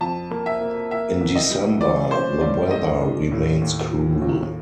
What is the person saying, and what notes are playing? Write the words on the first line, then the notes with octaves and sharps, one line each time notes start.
In December, the weather remains cool.
F2 A5
A#3
E5
A#3
A#3 E5
C2
D#5
G3
E3 D5
C#4 C5
G2 D5
A3 D#5
D4
A2
D#2
F3
D#2